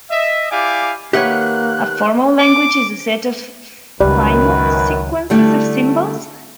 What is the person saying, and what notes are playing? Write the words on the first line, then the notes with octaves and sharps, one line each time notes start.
A "formal language" is a set of finite sequences of symbols.
D#5 E5
E4 G4 D5 F5 G#5 D6
D#3 A#3 G4 B4 C#5 E5 F#5 F#6
D6
C#2 F#2 D#3 G3 B4
D3 G3 A3 E4